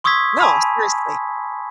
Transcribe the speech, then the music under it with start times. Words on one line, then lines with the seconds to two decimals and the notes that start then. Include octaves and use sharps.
No, seriously,
0.04 C6 C#6 D#6 E6 G#6 B6
0.40 G#5 A5 B5